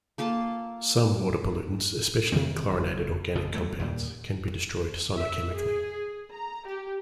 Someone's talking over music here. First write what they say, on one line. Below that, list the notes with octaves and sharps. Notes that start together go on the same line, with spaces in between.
Some water pollutants, especially chlorinated organic compounds, can be destroyed sonochemically.
A#3 F4 A4 A5
C3 D#3 G3 C4
F#1
A1 C#3 F3
D2 F#3 A3
D#2 A#2 G3
E5
G#4
A#5
G4